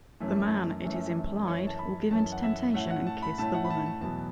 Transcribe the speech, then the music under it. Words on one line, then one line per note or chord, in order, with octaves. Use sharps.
The man, it is implied, will give in to temptation and kiss the woman.
F#2 E3 A3 C#4
F#2 E3 A3 C#4
F#2 E3 C#4 C#5
A5
B5
F#2 E3 C#4 A5
F#5
E5
A2 A3 C#4 F#5
F#5
A5
B5
A2 A3 C#4 A5
F#5
B5
A5
A5
E2 B2 F#3 B3 A5